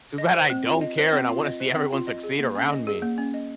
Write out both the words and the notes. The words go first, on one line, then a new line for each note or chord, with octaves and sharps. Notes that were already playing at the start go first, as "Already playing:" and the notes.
Too bad I don't care, and I wanna see everyone succeed around me.
D#5
C5
C4
F4
D#5
C5
C4
F4
D#5
C5
C4
F4
D#5
G#4
A#3
C#4
D#5
G#4
A#3
C#4
D#5